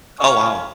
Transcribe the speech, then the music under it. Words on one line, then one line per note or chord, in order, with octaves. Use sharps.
Oh, wow.
A#3 C#4 F4 C#6